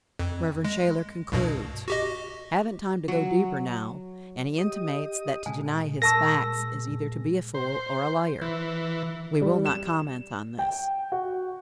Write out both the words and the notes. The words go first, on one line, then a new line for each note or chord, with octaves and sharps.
Rev. Shayler concludes: "Haven't time to go deeper now," and he intimates that to deny his 'facts' is either to be a fool or a "liar." We will not comment on this.
F2
G#3
C2 G2 B2
F#4 G4 D#5
F#3
G4 D#5 D#6
A#2 G#3 G#5
A#4 A5 C#6 E6 A#6
C5
E3
G3
E7
G5
F#4